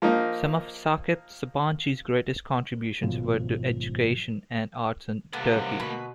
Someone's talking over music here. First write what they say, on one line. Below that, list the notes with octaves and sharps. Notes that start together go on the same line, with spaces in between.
Some of Sakip Sabanci's greatest contributions were to education and arts in Turkey.
F3 A#3 D#4
G#1 F#2 B2 F3
C3 A#3 B3 A4 F#5
G3 C#4 D#4
D2 B2 B4